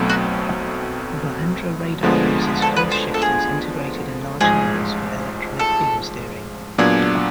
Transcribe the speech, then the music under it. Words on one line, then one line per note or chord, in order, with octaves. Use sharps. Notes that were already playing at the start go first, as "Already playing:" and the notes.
Rajendra radar uses phase shifters integrated in large numbers for electronic beam steering.
Already playing: B1 B2 F#3 A3 C4
F#4
D2 D3 F3 G#3 B3
A4
B4
C5
A4
G#4
A1 G#2 F3 G#3 G#4
A4
A#2 F#3 B3 D4 G#4